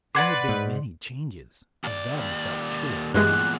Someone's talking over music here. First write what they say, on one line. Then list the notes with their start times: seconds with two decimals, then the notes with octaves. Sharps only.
There had been many changes, of that he felt sure.
0.15 B4 D5 F#5 C6 D6 G#6
0.49 G#2
1.84 D#2 D5
3.14 E2 G2 A#2 E3 G#3 F#6